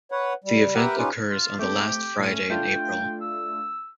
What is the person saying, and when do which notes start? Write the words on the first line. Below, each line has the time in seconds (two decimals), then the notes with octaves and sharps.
The event occurs on the last Friday in April.
0.11 B4 C#5 F#5
0.44 G3
0.76 G4 A#4 B4 E5 F#5 G5
0.98 C#4 D#4 F4 G4 B4
1.30 F4
1.59 A3 C4 G4
2.19 A2 C#4 D#7
2.50 A3 D4 F4 G5
3.21 E6